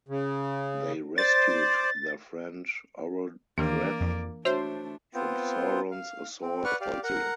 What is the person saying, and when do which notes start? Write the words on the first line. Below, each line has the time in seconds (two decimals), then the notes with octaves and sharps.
They rescued their friend Orodreth from Sauron's assault at Tol Sirion.
0.09 C#3
1.18 C5 D5 A6
3.58 D#2 E3 A#3 D4 D5
4.00 F2
4.45 A3 D4 F#4 C5 C#5 E5
5.14 B3 C4 F4 C5
5.91 F5
6.42 C4
6.64 B4 D5 F#5 C#6 F6
6.81 G4 D5 F5
7.04 A#4 F#5 A#5